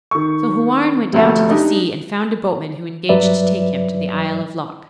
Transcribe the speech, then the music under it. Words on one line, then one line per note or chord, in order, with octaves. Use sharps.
So Houarn went down to the sea, and found a boatman who engaged to take him to the isle of Lok.
D#3 C#6
F1 D2 A3
D4 D#4 G4
G2 F#3 B4 D5 E5